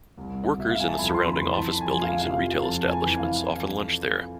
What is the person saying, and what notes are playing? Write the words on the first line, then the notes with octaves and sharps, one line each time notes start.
Workers in the surrounding office buildings and retail establishments often lunch there.
C2
B2 E5
F5
G#5
A5
F2 B5
C6
B5
E3
A5
F2 G#5
G#5
F5
C3 F3 F5
F2 A5
G#5
E3
F5